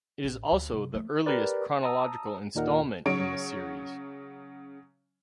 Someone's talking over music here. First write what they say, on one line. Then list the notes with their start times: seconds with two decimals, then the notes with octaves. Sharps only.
It is also the earliest chronological installment in the series.
0.24 A1
0.51 D2
0.73 C3
0.94 F3 A3
1.26 G4 A#4 B4 D5
1.83 A5 A#5 D#6 E6
2.55 D#2 A#2 D#4 A#4 F#5
3.06 C#3 F#3 C#5 D7